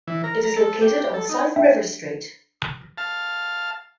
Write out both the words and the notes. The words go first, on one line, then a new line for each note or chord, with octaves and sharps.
It is located on South River Street.
E3
A#4
A#5
A4
G4
G4
A4
D#4
D4 E5 G5
F5 A5